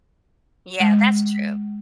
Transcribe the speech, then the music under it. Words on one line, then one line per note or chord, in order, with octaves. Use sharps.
Yeah, that's true,
G#3